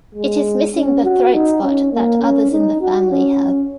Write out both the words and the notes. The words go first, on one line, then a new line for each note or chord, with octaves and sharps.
It is missing the throat spot that others in the family have.
G#3
C#4
F#4
D#4
C#4
A#3
C#4
D#4
F#4
C#4